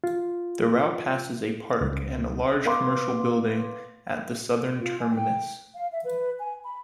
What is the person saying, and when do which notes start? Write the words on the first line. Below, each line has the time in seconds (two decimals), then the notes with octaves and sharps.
The route passes a park and large commercial building at the southern terminus.
0.04 F4
1.81 C#2
2.65 B3 B4 F5 C6 D6
4.80 F4
4.99 G#5
5.10 G5
5.75 F5
5.90 E5
6.03 B4
6.38 G#5
6.63 B5